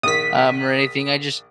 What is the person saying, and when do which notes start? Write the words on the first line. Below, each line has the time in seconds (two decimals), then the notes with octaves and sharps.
um, or anything, I just
0.03 A#1 D#3 D#6 B6